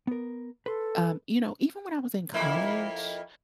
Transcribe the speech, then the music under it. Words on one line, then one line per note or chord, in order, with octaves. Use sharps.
um, you know, even when I was in college,
B3 A#4
A4 B4 C6
F2 A#3 E4